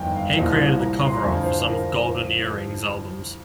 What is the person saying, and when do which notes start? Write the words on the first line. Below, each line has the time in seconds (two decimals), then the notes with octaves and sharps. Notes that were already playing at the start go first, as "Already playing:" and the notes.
Hay created the cover art for some of Golden Earring's albums.
Already playing: G1 F2 D#3 G5 G#5
0.15 F5
0.36 C2 A#2 F3 D#5
0.79 A#5
1.05 C6
1.14 A#5
1.22 F2 D3 F3 G#5
1.44 C5
1.59 C5
1.66 A#4